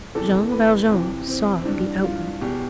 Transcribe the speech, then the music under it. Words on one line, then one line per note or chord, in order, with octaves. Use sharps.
Jean Valjean saw the outlet.
E2 C3 E3 A4
B4
F2 C3 E3
C4
C4
G2 E3 D4
F4
E2 B2 G4